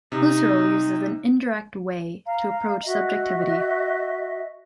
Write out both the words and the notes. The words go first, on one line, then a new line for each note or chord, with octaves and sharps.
Husserl uses an indirect way to approach subjectivity.
C3 D#4
F5 A#5
F#4 D#5 E5